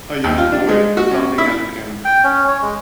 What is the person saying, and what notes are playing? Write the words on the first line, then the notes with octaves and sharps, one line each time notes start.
A young boy pounding on an anvil.
D#2
F4
D4
G#3
F#4
C#4
E4
G5
C#4
C#5
G#3